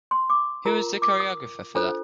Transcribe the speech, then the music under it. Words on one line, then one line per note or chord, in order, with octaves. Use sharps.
Who was the choreographer for that?
C6
D6
F4 A#4 A#5
D6
D#6
D4 F4 A4 C5